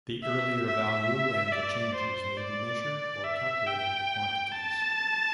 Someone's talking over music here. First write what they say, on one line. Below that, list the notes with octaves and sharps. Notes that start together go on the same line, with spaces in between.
The earlier value and the changes may be measured or calculated quantities.
E5
E5
D5
C5
D5
E5
G5
A5